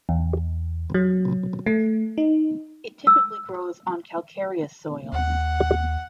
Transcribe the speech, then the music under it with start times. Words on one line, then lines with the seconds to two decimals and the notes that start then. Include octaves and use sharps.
It typically grows on calcareous soils.
0.09 E2
0.94 F#3
1.66 A3
2.18 D#4
3.07 E6
5.13 D#2 F#5